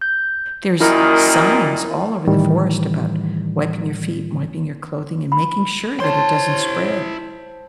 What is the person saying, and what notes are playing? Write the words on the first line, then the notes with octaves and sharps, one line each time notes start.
There's signs all over the forest about wiping your feet, wiping your clothing, and making sure that it doesn't spread.
G6
F#2 A#2 D#3 E4 A#4
A2 D#3 E3 G3
B5
E4 C5 C#5 G5 A5 C6